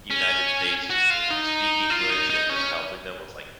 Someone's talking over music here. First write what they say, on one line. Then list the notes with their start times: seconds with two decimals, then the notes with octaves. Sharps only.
United States, just they didn't speak English and just helping them with, like,
0.10 C#4
0.90 F#4
1.10 F4
1.31 D#4
1.90 F4
2.10 D#4
2.30 D#4
2.50 C#4